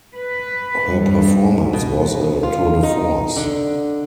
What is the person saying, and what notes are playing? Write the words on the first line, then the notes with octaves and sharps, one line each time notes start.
Her performance was a tour-de-force.
B4
G2
B2
F4
D#4
D3